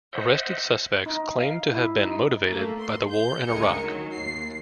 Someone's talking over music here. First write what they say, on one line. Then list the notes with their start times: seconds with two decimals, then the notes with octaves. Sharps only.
Arrested suspects claimed to have been motivated by the War in Iraq.
0.13 C5 D#5 E5 F#5
1.06 D#4
1.38 F5
1.71 E4
2.01 D#4
2.49 A3 A#3
2.80 C6
3.10 G6
3.48 D2 C#3 G#3 A#4 G#5 C#7
3.80 D#3 F#3
4.13 D#2 C7